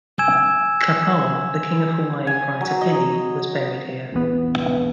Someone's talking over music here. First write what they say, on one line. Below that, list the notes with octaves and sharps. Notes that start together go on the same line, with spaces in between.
Kapawa, the king of Hawaii prior to Pili, was buried here.
G#5 E6 G#6 E7
G#5
F#3
D#5
A#1 E2 B3